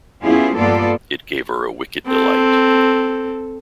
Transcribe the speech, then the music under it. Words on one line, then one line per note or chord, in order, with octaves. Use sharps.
It gave her a wicked delight.
B3 C#4 E4 F4 G4 G#4
G2 A#3 B3 F4 A4 D5
C4 A4